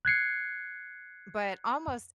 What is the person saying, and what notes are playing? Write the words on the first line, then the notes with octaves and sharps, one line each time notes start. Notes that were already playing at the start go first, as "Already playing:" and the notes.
But almost
F#6 G#6 C7 C#7